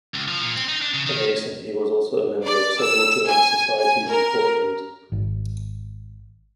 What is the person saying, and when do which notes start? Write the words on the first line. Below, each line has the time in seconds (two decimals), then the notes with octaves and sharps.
A Mason, he was also a member of several German societies in Portland.
0.14 C#2
0.28 F3
0.41 A#2
0.56 C4
0.68 D#4
0.81 D4
0.94 C#3
1.06 D#3
2.46 D5
2.81 E6
3.28 G#5
3.78 G#5
4.09 A#4
5.12 G#1